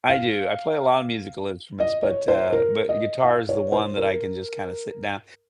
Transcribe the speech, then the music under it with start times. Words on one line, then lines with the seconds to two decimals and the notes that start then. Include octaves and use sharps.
I do, I play a lot of musical instruments, but, uh but guitar is the one that I can just kinda sit down
0.09 F5
1.80 D#5
2.03 C#5
2.28 C5
2.53 A#4
2.89 D#5
3.24 F5
3.49 C#5
3.72 C5
3.98 A#4